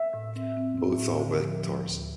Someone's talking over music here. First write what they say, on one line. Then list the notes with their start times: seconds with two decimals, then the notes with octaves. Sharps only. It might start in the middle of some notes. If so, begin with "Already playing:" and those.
Both are vectors.
Already playing: E5
0.14 A2
0.36 C4
0.57 C4
0.78 C4
0.98 A2
1.20 D3
1.41 F3
1.63 F3
1.84 D2